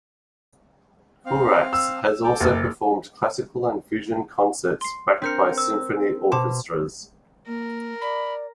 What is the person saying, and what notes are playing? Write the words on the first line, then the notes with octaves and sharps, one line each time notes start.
Koorax has also performed classical and fusion concerts backed by Symphony Orchestras.
C4 F5
E6
A4 G5 D6
F#1
C6 C7
C4 D4 A#4 F6 G6 C#7
E6
B2 C5 A5 C6 D6
A#3 A#4
D5 B5